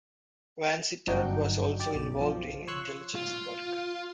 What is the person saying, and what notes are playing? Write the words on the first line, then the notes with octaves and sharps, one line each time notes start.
Vansittart was also involved in intelligence work.
G1 F#2 D4 D#4 F#4 G5
G4 D5
B1
F3
C#5 C6 C#6 E6 F#6
F4